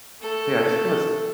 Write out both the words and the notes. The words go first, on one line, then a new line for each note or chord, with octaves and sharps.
Hey, I just wanna s
A3 A4